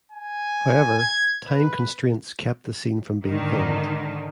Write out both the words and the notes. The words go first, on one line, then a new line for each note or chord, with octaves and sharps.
However, time constraints kept the scene from being filmed.
G#5
G#6
B4
G#2 D3 D#3